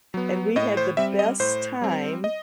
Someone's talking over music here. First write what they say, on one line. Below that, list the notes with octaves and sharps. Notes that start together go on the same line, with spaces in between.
and we had the best time
F#3 B3
A2 D#5
C5
G3 C4 E5
D#5
A2 C5
G3 C4
D#5